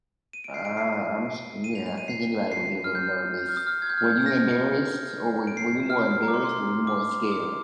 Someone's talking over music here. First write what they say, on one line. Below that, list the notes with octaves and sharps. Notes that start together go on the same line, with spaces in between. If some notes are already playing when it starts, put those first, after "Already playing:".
Ah, I'm just mm, yeah, I think anybody would be a little nervous. Were you embarrassed, or were y were you more embarrassed, or were you more scared?
D#7
D7
C7
D7
C7
D#7
F7
F7
D#7
C7
C7
F6
G6
G6
F6
D#6
F6
G#6
G6
F6
G6
A#6
D7
C7
F6
D#6
F6
A#5
D6
C6
C6
D6
D#6